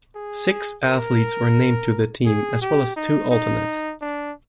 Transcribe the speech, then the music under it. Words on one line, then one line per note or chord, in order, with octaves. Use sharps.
Six athletes were named to the team as well as two alternates.
G#4
A#4
G#4
G4
D#4
D#4
D4